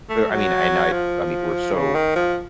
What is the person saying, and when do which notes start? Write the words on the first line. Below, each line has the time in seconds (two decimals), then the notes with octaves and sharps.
There I mean, and I I mean, we're so
0.10 A3
0.31 F#3
0.92 F3
1.74 C#3
1.95 D#3
2.15 F3